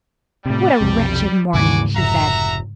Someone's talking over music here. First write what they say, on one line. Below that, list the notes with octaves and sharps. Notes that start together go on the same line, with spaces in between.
"What a wretched morning!" she said.
A2 C3 G3
B1 F2 C3
D#2 G#2 C#3 E3 G3 F#4 G#5 D6
F1 F#4 E5 A#5